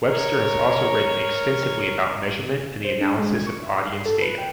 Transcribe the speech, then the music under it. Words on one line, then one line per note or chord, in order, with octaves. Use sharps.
Webster has also written extensively about measurement and the analysis of audience data.
A#4 C#5
C5
D4
G#3
G#6
C#6
E5
D#6
C7
A4
B4
G5